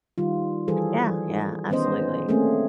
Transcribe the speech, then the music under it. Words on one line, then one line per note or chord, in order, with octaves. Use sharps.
Yeah, yeah, absolutely.
D#3 G3 F4
E3 G3 G#4 A4 C5
D#3 B3 C#4 C5 D#5
A3 A#3 C4 C#4 G#4